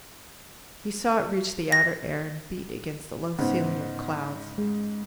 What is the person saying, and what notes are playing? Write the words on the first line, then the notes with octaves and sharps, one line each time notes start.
He saw it reach the outer air and beat against the low ceiling of clouds.
A#6
G#2 C#3 B3 C5 F#5
G#3